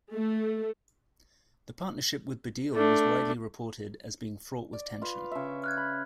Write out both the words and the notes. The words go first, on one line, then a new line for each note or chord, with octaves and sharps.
The partnership with Baddiel was widely reported as being fraught with tension.
A3
A3 D4
D5
F4 B4 F5
C#3 E5
F6 F#6 G#6
B5